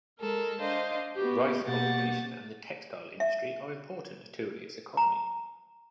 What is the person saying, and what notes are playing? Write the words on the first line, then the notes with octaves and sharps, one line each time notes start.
Rice cultivation and the textile industry are important to its economy.
G#3 A4 A#4
D4 C5 D#5 F5
B3 F#4 G4
B2 A#3 G4 F#5 A6
E5
A#5